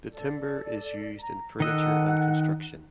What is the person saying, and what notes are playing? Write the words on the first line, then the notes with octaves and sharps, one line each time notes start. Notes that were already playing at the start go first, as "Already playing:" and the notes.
The timber is used in furniture and construction.
A4 D5
A#5
D#3 A4 D#5 F#5 E6 F#6